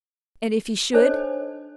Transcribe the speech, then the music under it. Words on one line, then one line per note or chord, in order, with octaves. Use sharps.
"And if he should?"
D4 D#4 A4 C5 C#5 D#5